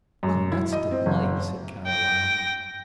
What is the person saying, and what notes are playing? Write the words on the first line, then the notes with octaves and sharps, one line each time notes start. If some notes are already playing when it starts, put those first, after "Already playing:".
"Well, that's delight," said Caroline.
F#2
E4
D#5
C4
F#1
G5 A#6